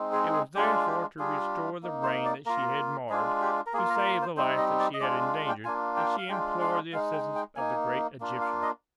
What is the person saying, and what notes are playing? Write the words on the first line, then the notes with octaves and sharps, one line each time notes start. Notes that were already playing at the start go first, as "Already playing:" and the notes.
It was therefore to restore the brain that she had marred, to save the life that she had endangered that she implored the assistance of the great Egyptian.
Already playing: G#3 C4 D#4
G#4
G#4
G#3 D4 F4 G4
G4
G3 D4 F4 G#4
A#3 D#4
C5
D5
A#3 F4 A#4
G#3 D4 F4 G#4
G4
A#4
A#3 F4 G#4
A#4
A#4
C5
G3 C4 D#4 C5
D#5
D5
D#5
G#3 D4 F4 D5
F5
G5
A#3 D4 F4 G#5
G5
F5
G#3 D4 F4 G5
F5
G#3 D#4 F5
G5
G5
A#3 D#4 G#5
A#3 D4 F4
F5
D#5